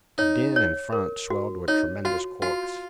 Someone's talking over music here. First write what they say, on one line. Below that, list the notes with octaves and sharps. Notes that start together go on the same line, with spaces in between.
The din in front swelled to a tremendous chorus.
D#4 C#5
C#5
A#4
F#4
D#4 C#5
F4 F#4
F4 F#4